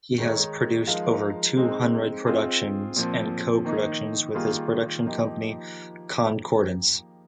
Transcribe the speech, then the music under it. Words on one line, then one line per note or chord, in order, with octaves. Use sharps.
He has produced over two hundred productions and co-productions with his production company Concordance.
D#3 G#3 D#4 A#4 C#5
F3 G#3 D#4 A#4 F5
G#3 C4 D#4
C4 F4 G#4 D#5
A#2 F3 C4
D#3 A#3 D#4
D#3 G3 A#3 F4 G#4
F3 A#3 D#4 G4